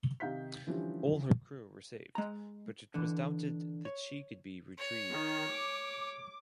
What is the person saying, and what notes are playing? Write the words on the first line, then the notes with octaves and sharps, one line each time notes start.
All her crew were saved but it was doubted that she could be retrieved.
C3 D#3 D#4 F5 G6 B6
D3 E3 F3 G3 C#4
G#3 A#5
D3 E3
C#5
C#5
D#3
D6